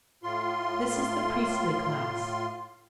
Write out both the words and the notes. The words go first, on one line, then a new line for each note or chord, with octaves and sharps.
This is the priestly class.
A2 F4 C6